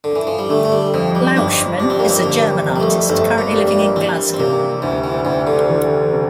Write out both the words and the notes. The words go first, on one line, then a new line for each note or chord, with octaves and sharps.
Lauschman is a German artist currently living in Glasgow.
D3
E3
F3
G3
D3 A3
A3
G3
F2 F3
G3
G1 D4
G3 D4
C4
A#3
C4
D3 A#3
F2
G3
A3
G1 A3
A#3
G3
A#3
E3 C4
C4
C3 A#3
D2 E3
E3
D2 E3
D3
E3
C3